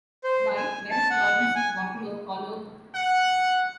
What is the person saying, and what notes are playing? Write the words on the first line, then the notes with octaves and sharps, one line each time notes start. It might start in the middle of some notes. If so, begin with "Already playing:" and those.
Why, where is Florence's bottle of cologne?
C5
G#5
A5
F#5
G#5
F#5